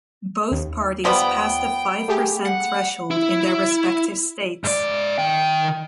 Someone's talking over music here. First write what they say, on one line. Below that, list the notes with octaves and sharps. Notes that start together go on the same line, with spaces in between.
Both parties passed the five-percent threshold in their respective states.
D#2
F3 G3 B3 G5
A3 G4 G#4
F#5
E4
G#2 D5
D#3 G5